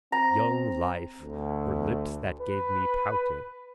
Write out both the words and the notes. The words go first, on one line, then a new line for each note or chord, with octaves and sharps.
Young life, her lips that gave me pouting.
C4 A#5
D2
B4